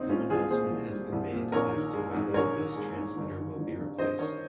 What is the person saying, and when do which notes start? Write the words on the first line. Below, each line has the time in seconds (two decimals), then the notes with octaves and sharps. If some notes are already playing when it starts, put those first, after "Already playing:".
No announcement has been made as to whether this transmitter will be replaced.
Already playing: C2 C4 D#4
0.09 G3 C#4 F4
0.30 C2 F4 G#4
0.50 A#2 G#4 C5
0.71 C2
0.91 G3
1.12 C2
1.32 A#2
1.52 A#1 A#4 C#5
1.73 D#3
1.93 G#3
2.14 G#2
2.34 A#1 A#4 C#5
2.55 D#3
2.76 G#3
2.97 G#2
3.16 G1
3.37 D#3
3.58 G1
3.79 G2
3.98 G1 C5 D#5
4.18 D#3 A#4 C#5